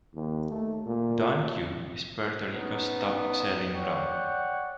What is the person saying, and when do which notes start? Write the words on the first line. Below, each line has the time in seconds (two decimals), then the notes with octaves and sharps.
Don Q is Puerto Rico's top-selling rum.
0.14 D#2
0.51 A3
0.86 A#2
2.52 B3 C#4 D#4
3.74 C#5 D5 F#5 G5